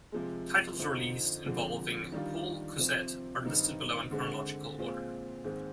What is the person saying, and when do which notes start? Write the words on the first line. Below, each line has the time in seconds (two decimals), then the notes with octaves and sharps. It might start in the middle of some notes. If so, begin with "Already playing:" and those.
Titles released involving Paul Cuisset are listed below in chronological order.
0.12 C3 F3 G#3
0.79 F2 D3 F3 C4 D#4
1.46 F2 D3 F3 G#3 C4
2.12 D#3 G3 D4 F4
2.78 C3 F3 C4
3.45 G2 D#3 G3 C4 D#4
4.11 D3 G#3 C4
4.78 A#2 G#3 C4 F4
5.44 G#2 D#3 G#3 C4